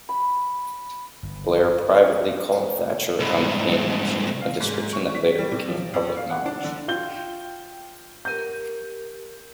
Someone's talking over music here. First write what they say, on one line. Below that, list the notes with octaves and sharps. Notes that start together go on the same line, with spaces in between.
Blair privately called Thatcher "unhinged", a description that later became public knowledge.
B5
G1
C2 G#2
F5
G#2
C#6
B6
G3
C3
F3
F2
F5
F#5
D4
D3
F4 G5 G6 G7
G4 A#4 G6 D#7